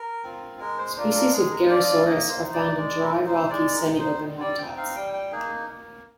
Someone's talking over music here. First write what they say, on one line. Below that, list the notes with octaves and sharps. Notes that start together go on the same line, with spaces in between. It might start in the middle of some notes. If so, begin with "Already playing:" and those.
Species of "Gerrhosaurus" are found in dry, rocky semi-open habitats.
Already playing: A#4
C4 F4
G#3 A#4
C5
D4 F4 A#4
A#4
G#3 G#4
A#4
D4 F4 D5
D#5
D5
A#3 D#5
C5
D#4
D5
G#3 D5
A#4
D#4
C5
G#3 D5
A#4
D#4
C5
G3
D5
C4 D#4 G5
F5
G3 G5
G5
A#3 D#4 G#4
A#3